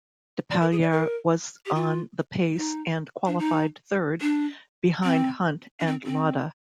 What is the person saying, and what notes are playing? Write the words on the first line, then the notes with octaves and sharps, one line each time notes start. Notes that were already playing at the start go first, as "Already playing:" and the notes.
Depailler was on the pace and qualified third, behind Hunt and Lauda.
D5
A#4
G#4
D5
A#4
G4
F4
D#4
D4
D#4
D4
C4
D4
C4
C4